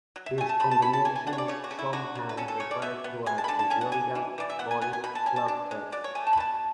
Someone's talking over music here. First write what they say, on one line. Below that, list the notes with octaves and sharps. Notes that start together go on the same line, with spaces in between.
This combination is sometimes referred to as the Biological Body Clock Test.
F#3
E5
A3 G#5
A5
A3 B5
A5
C#4 B5
A5
E3 G#5
G#5
D4 F#5
C#5
D5
C#3 C#5
F#4
C#3
E4
D3 F#4
F#3
B4
C#4 A4
A4
C#3 C#5
D5
B3 E5
B3
G#3 G#5
A5
B5
D3 A5
A5
C#4 G#5
F#5
D3 G#5
E3
E3 D5
E5
B3 F#5
G#5
B3 G#5
G#5
B2 B5
A5
C#4 G#5
A5
D4
G#3
F#3 D5
C#5
A3 G#5
A5
B5
B2 A5